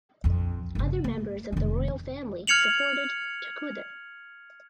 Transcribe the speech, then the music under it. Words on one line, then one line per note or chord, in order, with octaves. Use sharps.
Other members of the royal family supported Tekuder.
A#1 F2
G1 C#3
A#3
F1 D#3
F6 G#6 C#7 F7 F#7